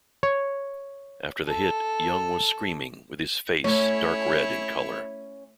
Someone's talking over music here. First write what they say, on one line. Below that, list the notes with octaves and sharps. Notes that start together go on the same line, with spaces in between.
After the hit, Young was screaming with his face dark red in color.
C#5
A4
A3 C#4 E4 C#5